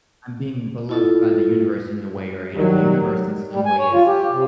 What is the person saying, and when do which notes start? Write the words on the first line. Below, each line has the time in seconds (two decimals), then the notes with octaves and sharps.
I'm being beloved by the universe in the way, or, you know, the universe in some way is
0.89 E4 F4 A4
2.55 D#3 F#3 G3
3.52 G3
3.65 G#5
3.78 C#5
3.93 F4
4.07 G4
4.31 C3